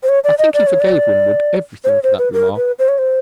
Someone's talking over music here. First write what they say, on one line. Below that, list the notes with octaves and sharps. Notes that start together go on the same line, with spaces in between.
I think he forgave Winwood everything for that remark.
C5
C#5
D5
D#5
D5
C#5
D5
C5
C#5
C5
B4
A#4
B4
C5
C#5
C5